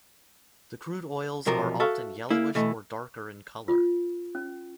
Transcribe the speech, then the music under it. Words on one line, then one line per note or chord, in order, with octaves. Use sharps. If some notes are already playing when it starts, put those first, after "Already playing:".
The crude oils are often yellowish or darker in colour.
B1 C3 F3 F#4 A#4
F#4 A4 E5 F5
A#3 E4
B2 E3 A3
F4
C#4